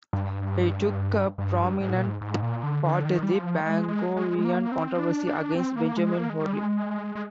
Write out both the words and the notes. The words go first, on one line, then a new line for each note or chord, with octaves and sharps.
He took a prominent part in the Bangorian controversy against Benjamin Hoadly.
G2
G2
G#2
A#2
G#2
G#2
A#2
D3
D3
D#3
G3
F3
G#3
G#3
G#3
G#3
A#3
C4
D4
D4
C4
A#3
G#3
A#3
G#3
G3
G#3
G#3